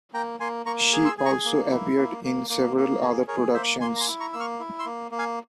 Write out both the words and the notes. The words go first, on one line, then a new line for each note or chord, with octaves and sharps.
She also appeared in several other productions.
A#3 G5 A#5
A#3 G#5 C6
A#3 A#5 C#6
G#4
C6 E6
G#4
A#5 C#6
A#3
E4
A#3
A#3
A#3
A#3
G#4
G#4 A#4 C#5
A#3 C5 E5
A#3 G#5 C6
A#5
G#5 C6
E4
A#5 C#6
A#3 E6
C#6 F6
E4
C6 E6
A#3
A#3
F5 G#5